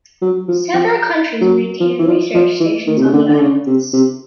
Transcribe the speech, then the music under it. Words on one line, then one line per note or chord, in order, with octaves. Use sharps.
Several countries maintain research stations on the islands.
F#3
F3
F3
F#3
F3
E3
F3
F3
E3
D#3
C3
C#3
D3
D3
C#3
C3
C3